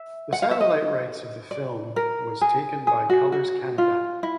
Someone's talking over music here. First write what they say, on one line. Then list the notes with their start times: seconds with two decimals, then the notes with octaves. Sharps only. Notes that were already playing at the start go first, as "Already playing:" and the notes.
The satellite rights of the film was taken by Colors Kannada.
Already playing: E5
0.33 F#5
0.42 F5
0.51 E5
0.61 D#5
1.51 D5
1.96 A#4
2.41 G#4
2.87 G#4
3.10 F#4
3.32 F#4
3.78 F4
4.23 E4